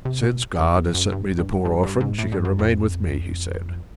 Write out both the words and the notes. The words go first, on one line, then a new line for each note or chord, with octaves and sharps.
"Since God has sent me the poor orphan, she can remain with me," he said.
C3
B2
F2
E2
F#2
G2
G2
G2
G2
G#2
A2
G2
F#2
F2